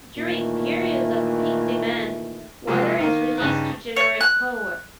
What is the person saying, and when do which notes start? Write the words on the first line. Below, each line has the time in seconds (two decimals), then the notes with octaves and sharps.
During periods of peak demand water is released to generate power.
0.17 A#2 D#3 E3 A3
2.67 C3 F3 F#3 G#3 A#3
3.00 D#3 A#3
3.38 G2 C#3 D#4 F#6
3.96 C#5
4.21 F#6